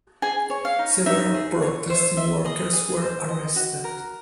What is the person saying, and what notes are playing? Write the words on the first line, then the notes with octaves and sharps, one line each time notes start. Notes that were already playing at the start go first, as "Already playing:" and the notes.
Several protesting workers were arrested.
G#4 G#5
C#5
F5
D#4
D#4 E5
G#4
C#5
C5 E5
D#5 E5
G#4 D#5
G#4
C5
D#5
F#4
A#4